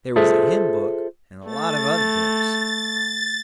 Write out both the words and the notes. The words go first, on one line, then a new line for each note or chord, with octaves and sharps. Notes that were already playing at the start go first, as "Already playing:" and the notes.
There was a hymn book, and a lot of other books.
F4 G#4 A4 C5 E5
A3 A6